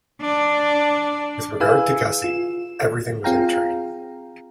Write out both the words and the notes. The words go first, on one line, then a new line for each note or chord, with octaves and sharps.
With regard to Gussie, everything was in train.
D4
E4 G#4 B4 F5 G#5 E6
F4 E7
C4 F4 G#4 F5 G5 A#5